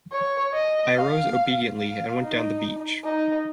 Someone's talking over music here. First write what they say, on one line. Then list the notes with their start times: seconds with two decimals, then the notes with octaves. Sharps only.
I arose obediently and went down the beach.
0.12 C#5
0.54 D#5
0.95 F5
1.79 F5
2.20 D#4
3.04 D#4